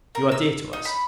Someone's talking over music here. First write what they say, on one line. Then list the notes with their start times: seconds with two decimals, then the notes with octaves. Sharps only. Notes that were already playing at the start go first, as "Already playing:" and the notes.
You are dear to us.
0.15 A#4
0.32 E6
0.73 D#4
0.85 B5